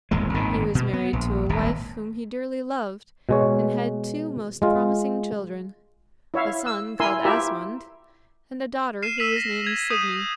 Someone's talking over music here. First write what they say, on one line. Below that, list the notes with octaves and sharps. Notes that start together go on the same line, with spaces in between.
He was married to a wife whom he dearly loved, and had two most promising children--a son called Asmund, and a daughter who was named Signy.
D#1 G#1 E2 G#3
G#1 A#2 D#3
B2
B3
A#1
D#1 G#1 A#2
B2 G#3 C#5
G#3 F4
E4 C#5 E5 F5
E6
E4 A#4 G#5 C6 E6
E4 F4 G4 A#4 E5
F6 C7 D#7 E7
E6 B6 D#7 F7 F#7
A#6
G#6 F7
D#6 G6 D#7 E7